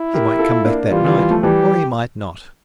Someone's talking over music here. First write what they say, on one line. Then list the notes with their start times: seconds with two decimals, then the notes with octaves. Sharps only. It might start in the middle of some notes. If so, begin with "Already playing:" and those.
He might come back that night or he might not.
Already playing: E4
0.13 G4 A#4
0.39 F4 A4
0.65 A#3 D4
0.91 E3 G3 F4
1.04 E3 G3
1.17 E3 G3
1.30 F3 A3
1.43 E3 G3 G4